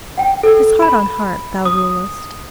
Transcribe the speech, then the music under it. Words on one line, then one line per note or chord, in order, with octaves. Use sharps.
'Tis heart on heart thou rulest.
F#5 G5
A4
B5
D#6